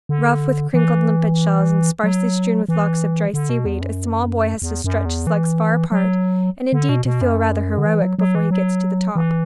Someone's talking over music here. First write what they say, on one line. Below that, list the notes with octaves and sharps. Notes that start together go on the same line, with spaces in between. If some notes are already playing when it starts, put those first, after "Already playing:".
Rough with crinkled limpet shells and sparsely strewn with locks of dry seaweed, a small boy has to stretch his legs far apart, and indeed to feel rather heroic, before he gets to the top.
D3
E3
F#3
E3
D3
B2
E2
F#2
E2
F#2
E2
E3
F#3
D3
B2
B2
F#2
D3
E3
F#3
F#3
E3
F#3
E3